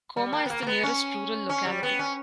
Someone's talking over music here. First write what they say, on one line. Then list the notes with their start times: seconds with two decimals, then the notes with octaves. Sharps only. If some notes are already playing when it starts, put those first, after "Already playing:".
Koma is the nearest rural locality.
0.17 G3
0.33 A#3
0.46 B3
0.50 A#3
0.62 A#3
0.67 B3
0.83 C#4
1.49 C#4
1.66 G3
1.83 B3
1.99 C#4